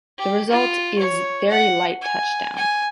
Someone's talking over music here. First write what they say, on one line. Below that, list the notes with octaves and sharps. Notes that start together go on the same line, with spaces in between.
The result is very light touch down.
G4
F4
C#5
F#5
G#5
G#5